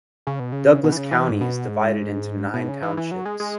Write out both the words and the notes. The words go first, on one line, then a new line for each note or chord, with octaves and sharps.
Douglas County is divided into nine townships.
C#3
B2
C#3
B2
E3
C#3
E3
G#2
B2
G#2
B2
C#3
E3
E3
F#3
G#3
G#3